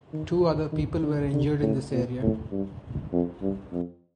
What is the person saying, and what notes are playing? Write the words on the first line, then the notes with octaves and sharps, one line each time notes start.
Two other people were injured in this area.
D#3
E3
D#3
D3
D3
A2
A#2
A2
G2
F2
G2
F2